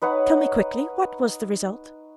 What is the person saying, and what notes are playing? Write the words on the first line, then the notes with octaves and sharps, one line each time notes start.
"Tell me quickly--what was the result?"
D#4 B4 C#5 F#5